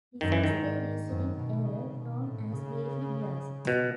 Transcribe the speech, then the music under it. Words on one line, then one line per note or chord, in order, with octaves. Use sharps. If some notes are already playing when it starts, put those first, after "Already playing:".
This is the reasoning error known as belief bias.
F#2 D#3
E3
D#3
G#2
F#2
B2
C#3
B2
A2
C#3
B2